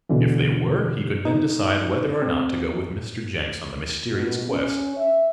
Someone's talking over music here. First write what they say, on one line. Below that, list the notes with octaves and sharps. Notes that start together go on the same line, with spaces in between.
If they were, he could then decide whether or not to go with Mr. Jenks on the mysterious quest.
B2 D3 E3
D#4
C4
B2
C#4
E5